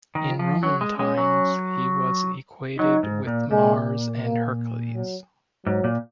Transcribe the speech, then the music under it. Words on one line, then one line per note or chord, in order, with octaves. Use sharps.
In Roman times he was equated with Mars and Hercules.
D#3
F3
F3
F#3 C#4
G#3
G#3 C#4
F#3
F#3 D#4
G#2
A#2
A#2 G#3
A#3
F#3
G#2 F#3
A#2